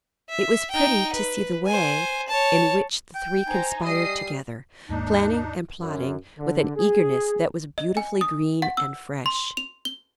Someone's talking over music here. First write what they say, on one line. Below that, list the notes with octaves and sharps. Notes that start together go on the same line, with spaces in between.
It was pretty to see the way in which the three conspired together, planning and plotting with an eagerness that was beautifully green and fresh.
E5
D#4 G5
B4
C5 G#5
C#5 A5
G5
D#4 C5 G#5 A#5
G3 D#5 D#6 C7
D#2 G#2 A#3 D4 D#4
F#2
D3
G#4
D#5
G#5
D#6
F#5
E6
C6
F7
G7